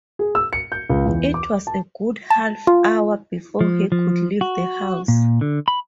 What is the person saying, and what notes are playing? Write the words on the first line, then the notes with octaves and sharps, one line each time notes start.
It was a good half-hour before he could leave the House.
G#4
E6
C#7
G6
C#2
E2
D6
A5
A5
F4
F3
F3
F#4
A#2
D3
B5